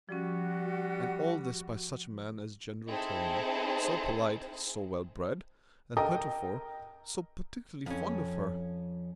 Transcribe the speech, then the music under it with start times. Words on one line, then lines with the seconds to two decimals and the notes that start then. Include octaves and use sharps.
And all this by such a man as General Tilney, so polite, so well bred, and heretofore so particularly fond of her!
0.09 F3 G3 C#4 F#4
2.88 C4 D#4 E4 G#4 A4 C5
5.97 A4 A#4 D#5 G5 A#5 D#6
7.86 F2 C#4